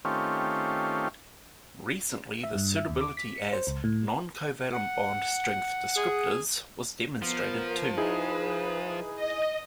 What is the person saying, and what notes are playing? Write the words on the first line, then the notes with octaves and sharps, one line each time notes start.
Recently, the suitability as non-covalent bond strength descriptors was demonstrated too.
D#3 A3 C4 C#4 F4 G4
E5
G2
E5
D#2
D6
B6
C#7
C5
C#2
A2
F#5
G#4
F3 B3 A#4
D#4 E4 G#4 B4
D#5